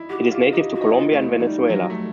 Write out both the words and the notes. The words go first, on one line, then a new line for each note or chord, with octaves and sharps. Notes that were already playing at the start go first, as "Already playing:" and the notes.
It is native to Colombia and Venezuela.
Already playing: D#4 E4
F#4 G4
F4 G4
D#4 G4
F#4
D#4
E4
F4
A3
E4
G3 D#4
F#3
A3